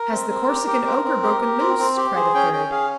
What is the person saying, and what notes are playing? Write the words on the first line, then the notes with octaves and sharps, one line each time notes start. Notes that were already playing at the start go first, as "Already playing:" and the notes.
"Has the Corsican ogre broken loose?" cried a third.
Already playing: A#4
C4
C4
G4
G4
C4
C4
G4
G4
C4
C4
G4
G#4 C5
C#4 G5
C#4 G5
G#4 F5